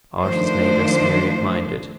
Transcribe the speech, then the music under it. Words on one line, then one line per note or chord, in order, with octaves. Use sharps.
Art has made us myriad-minded.
D#3 F3 A3 D4 C5